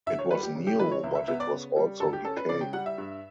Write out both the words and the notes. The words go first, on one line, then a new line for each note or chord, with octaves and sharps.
It was new, but it was also decaying.
D2 E5
C#5
G3 B4
G4
C#3
G4
E3 B4
C#5
C#2 E5
E5
B3 E5
D5
C#3
G3
D2 A4
G4
C#4 A4
B4
C#3 D5
G5
G3 F#5
E5
G2